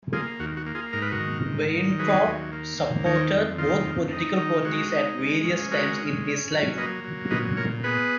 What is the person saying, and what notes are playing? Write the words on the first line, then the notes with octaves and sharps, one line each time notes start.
Weintraub supported both political parties at various times in his life.
A#3 F4 G#4
D#2 F#4
F#4
A#3
F4 G#4
G#2 A#4
B4
F#4 A#4
D#3
G#2
D#3
F#3 G#4 B4
D#2
A#3
D#2
D#3 A#4 C#5
F2
D#3 F4
F2
D#4
D#3
G#3 F#4
D#4
G#3
C#4
G#3 F#4 A#4
C#4
C#4
F#3
A#3 B4 D#5
F#3
A#2 B4 D#5
A#2 A#4 C#5
B3 G#4 B4